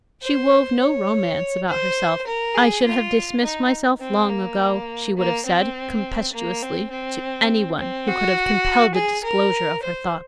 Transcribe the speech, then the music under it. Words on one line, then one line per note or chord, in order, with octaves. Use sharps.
She wove no romance about herself. "I should have dismissed myself long ago," she would have said, contemptuously, to any one who could have compelled the disclosure of her thoughts.
C5
C#5
C5
A#4
G#4
F4
D#4
C4
A#3
A#3
C4
A#3
C4
C4
C4
F#4
G#4
A#4
C5